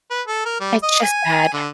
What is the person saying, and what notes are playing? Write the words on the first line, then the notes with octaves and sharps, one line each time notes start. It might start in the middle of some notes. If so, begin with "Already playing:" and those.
It's just bad.
B4
A4
A#4
G3
D#5
G#5
D3